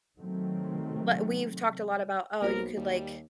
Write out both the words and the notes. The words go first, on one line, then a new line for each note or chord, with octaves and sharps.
w we've talked a lot about, "Oh, you could, like,
C3 D#3 F#3 A3 C4
B1 A#3 F#4 A#4 C5
D#2 G3